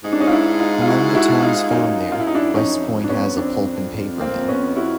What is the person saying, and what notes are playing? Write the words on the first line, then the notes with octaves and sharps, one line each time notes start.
Among the towns found there, West Point has a pulp-and-paper mill.
G#2 D#4
D4
C#4 D#4
F4
D4 E4
D#4 F4
F4
E4 F#4
E4 F#4
D#4 F4
F#2 D#4 F4
F4
E4
D#4
D4 E4
F2 C#4 D#4
F#2
F2
D4
B3 C#4
C4 D4
A#3 C4
B3 C#4
E4 F#4